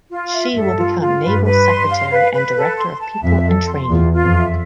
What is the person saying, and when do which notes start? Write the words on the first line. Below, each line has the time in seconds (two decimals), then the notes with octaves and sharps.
She will become Naval Secretary and director of people and training.
0.11 F4
0.33 E5
0.55 G2 A4
0.78 F4
1.00 F4
1.22 G2 B4
1.45 B4
1.67 C6
1.89 F5
2.12 B4
2.33 B4
2.57 A4
2.78 C6
3.00 A5
3.23 F2 E5
3.45 A4
3.67 C6
3.90 E2 F4
4.12 F4
4.24 F2
4.35 E5